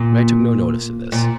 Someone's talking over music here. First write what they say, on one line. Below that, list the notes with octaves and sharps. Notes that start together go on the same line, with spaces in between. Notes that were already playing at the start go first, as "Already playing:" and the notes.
But I took no notice of this.
Already playing: A#2
A#2